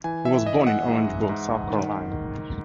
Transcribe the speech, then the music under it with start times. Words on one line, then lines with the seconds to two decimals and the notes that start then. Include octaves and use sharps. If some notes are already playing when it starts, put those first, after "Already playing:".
He was born in Orangeburg, South Carolina.
0.04 E3 G#5
0.25 E5
0.45 E3 D#5
0.67 F#5
0.87 G#2
1.29 G#2
1.70 D#3
2.11 D#3